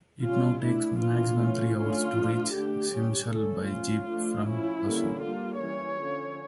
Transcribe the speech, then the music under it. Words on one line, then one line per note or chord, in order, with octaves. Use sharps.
It now takes maximum three hours to reach Shimshal by jeep from Passu.
G3 C#4 F4
E3 A3 D4 E4
E3 A#3 D4 F4
E3 A3 C#4
D3 A3 C#4 F4
F3 A3 D4
D3 A3 D4 G4
G3 C#4
D3 A3 C#4 A4
F3 C#4 F4
F3 A3 D4
F3 C#4 E4
D3 G3 A#3 C#4
G3 A#3 D4 F4
E3 G3 C#4 C#5
D3 F3 C#4